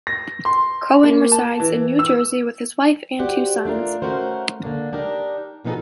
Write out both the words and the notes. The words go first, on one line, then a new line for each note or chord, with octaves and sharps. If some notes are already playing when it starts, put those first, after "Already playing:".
Cohen resides in New Jersey with his wife and two sons.
A#6
C6
A#3
A5
E3
E6
F#4 G4 C5 D5 F#5
A3 D4 F4 A#4
A3 C#4 F#4 A#4 C5
D3 A#3 D4
D4 D#4 G4 A#4
B2 F3 B3 D#4 G#4 A4